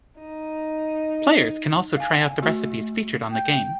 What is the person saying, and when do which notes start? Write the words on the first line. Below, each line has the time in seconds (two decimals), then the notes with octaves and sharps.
Players can also try out the recipes featured on the game.
0.19 D#4
1.97 F5 G#5
2.42 A3 F#4
3.31 G5